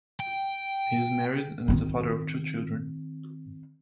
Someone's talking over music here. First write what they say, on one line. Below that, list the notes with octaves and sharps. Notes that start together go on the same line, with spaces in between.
He is married and is the father of two children.
G5
D#3 C4